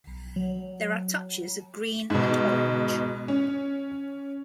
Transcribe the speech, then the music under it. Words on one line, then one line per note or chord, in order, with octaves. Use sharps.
There are touches of green and orange.
B1
F#3
G#2 B2
C#4